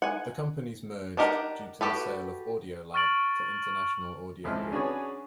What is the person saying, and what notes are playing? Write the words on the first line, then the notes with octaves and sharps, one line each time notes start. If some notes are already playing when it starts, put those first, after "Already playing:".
The companies merged due to the sale of Audiolab to International Audio Group.
F#5 G#5
D4 D#4 G4 A#4 F#5
F#4 G4 A4 B4
C#6 F6 A6 D7 F#7
G#1 C#2 C4 E4 A4 F6
C#4 D4 F#4 G#4 B4 C#5